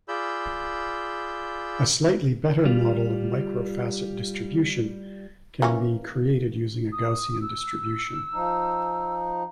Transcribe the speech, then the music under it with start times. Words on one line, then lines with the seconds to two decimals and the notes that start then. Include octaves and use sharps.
A slightly better model of microfacet distribution can be created using a Gaussian distribution.
0.08 F4 G#4 D5 B5 E6 G6
2.65 G3 F4
5.62 E3 A#3 C#4
6.92 D#6
7.41 E6
8.33 F3 D#4